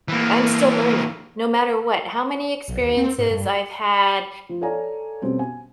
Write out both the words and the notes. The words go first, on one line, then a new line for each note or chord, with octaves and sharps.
eh, I'm still learning no matter what. How many experiences I've had,
E3 A#3
B1
D#2
C4
G#2
G2
F3
A4 C#5 D5 F5 G#5 A#5
B2 G3 C4 C#4
G#5